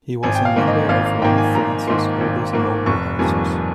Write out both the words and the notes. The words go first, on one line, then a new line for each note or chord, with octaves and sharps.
He was a member of one of France's oldest noble houses.
G#1 G#5
G5
F5
G#2 D#3 A#3
D#5
G#1 F5
F5
G#2 D#3 A#3 G5
G#5
G#1 A#5
G#2 D#3 A#3 C6
G#1
G#2 D#3 A#3
F1 C#6
F2 D#3 G3 A#3 G#5